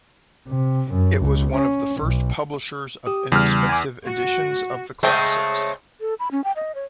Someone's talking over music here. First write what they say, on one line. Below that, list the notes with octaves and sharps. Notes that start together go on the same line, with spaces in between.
It was one of the first publishers of inexpensive editions of the classics.
C3
F#2
C#2
C#4
B1
G4 D#6
E2 C#3 G3 F6
G#5 D6
F#4
C#3 G#3 A3 C4 G5
A4
B5
C#4
G5
D#5
C#5